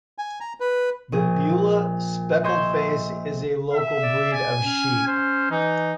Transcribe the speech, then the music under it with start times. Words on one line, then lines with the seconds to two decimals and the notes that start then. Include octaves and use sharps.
The Beulah Speckled Face is a local breed of sheep.
0.18 G#5
0.40 A#5
0.60 B4
1.12 A#1 G#4
2.44 D#5 E5 C6 C#6 G6 G#6
3.73 E5
4.02 D5
4.33 G#5
4.64 C#4
5.07 C5
5.51 E3 D#4